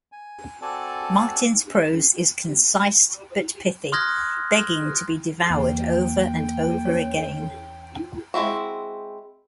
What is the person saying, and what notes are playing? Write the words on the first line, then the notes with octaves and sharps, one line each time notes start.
Martin's prose is concise but pithy, begging to be devoured over and over again.
G#5
C4 F#4 A4 D5 G#5 A5
C6 D#6 F6 F#6 G#6 A#6
E2 E3 A#3 F5 G5
C#4 C#5
G#3 C4 E4 F#4